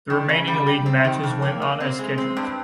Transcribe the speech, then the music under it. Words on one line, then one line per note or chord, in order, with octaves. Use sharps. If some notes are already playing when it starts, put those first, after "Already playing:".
The remaining league matches went on as scheduled.
D#3
C#3
G3
G4
C4
D#3
F2
A#3
A#3
C4
G#3
C4
G2